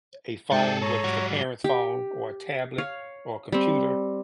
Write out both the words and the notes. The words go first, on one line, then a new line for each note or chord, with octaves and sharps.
a phone, whether it's a parent's phone or a tablet or a computer,
G#2 G#4 A4 D5 G5
C#5 A#5
G3 F#4
G4
C#5 F5
G3 C4